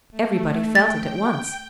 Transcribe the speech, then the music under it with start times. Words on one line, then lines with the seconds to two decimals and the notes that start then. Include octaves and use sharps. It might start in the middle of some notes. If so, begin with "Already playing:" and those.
Everybody felt it at once.
0.11 A3
0.75 G5 A6